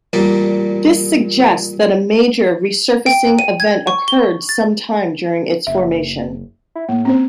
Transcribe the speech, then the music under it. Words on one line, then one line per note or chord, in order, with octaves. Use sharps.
This suggests that a major resurfacing event occurred some time during its formation.
A1 A#2 G3 A#3 D5
G5
D#7
G#6
C#6
G7
A6
F#1 E5
E4
A2 A#3
C4 C#4 C5